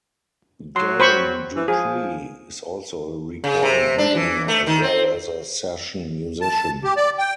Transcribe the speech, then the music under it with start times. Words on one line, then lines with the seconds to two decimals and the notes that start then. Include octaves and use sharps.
Garron DuPree is also a recording engineer as well as a session musician.
0.76 F#3 C6
1.00 C5 B5 C#6
1.56 E3
1.68 F3 G#4
3.44 C#3
3.63 C3
3.98 D4
4.15 E3
4.48 A3
4.67 D#3
4.82 C4
6.41 A5
6.84 G4
6.97 D5
7.19 G5